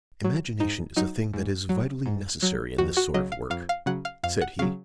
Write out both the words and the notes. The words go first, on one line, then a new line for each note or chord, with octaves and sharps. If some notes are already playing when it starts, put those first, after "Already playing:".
"Imagination is a thing that is vitally necessary in this sort of work," said he.
F#3
G#2 D#4
F#3 D#4
G#2
F#3
G#2
F#3
F2 F#4
F#4
C#3 F#3 D#5
F5
F2 F5
F5
C#3 F#3 F#5
F5
F2 F5
F#5
C#3 F#3 F5